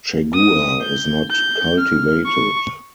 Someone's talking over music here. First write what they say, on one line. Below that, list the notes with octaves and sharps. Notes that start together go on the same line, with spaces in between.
Chaguar is not cultivated.
D#6
G6
G6
F6
C#6